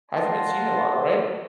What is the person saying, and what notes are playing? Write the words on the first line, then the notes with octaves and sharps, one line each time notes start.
hasn't been seen a lot, right?
F5 F#5 A5 A#5 C6